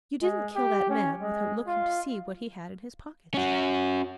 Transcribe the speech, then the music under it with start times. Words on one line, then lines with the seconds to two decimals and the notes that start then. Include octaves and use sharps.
You didn't kill that man without looking to see what he had in his pockets.
0.23 G#3
0.56 G4
0.90 C#4
1.22 G#3
1.67 F4
3.34 C#4 F#4